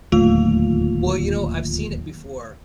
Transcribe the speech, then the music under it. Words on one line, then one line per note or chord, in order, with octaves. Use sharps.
Well, you know, I've seen it before
D1 D#2 A3 F4